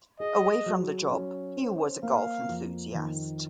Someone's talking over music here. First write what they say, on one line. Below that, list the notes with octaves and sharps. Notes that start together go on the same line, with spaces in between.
Away from the job, he was a golf enthusiast.
G#4 D#5
F#3
C#4
C5
A#3 F5
F2
D#3